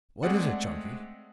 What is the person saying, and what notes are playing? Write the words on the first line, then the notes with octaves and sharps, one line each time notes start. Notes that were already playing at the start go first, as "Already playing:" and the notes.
"What is it, Chunky?"
G#3 A3 C4 G#4 D5 F#5